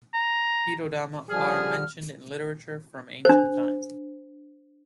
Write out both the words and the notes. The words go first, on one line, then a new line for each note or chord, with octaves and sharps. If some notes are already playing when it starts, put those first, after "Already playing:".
Hitodama are mentioned in literature from ancient times.
A#5
D3 F3 G3 G#4 F6
D4 C5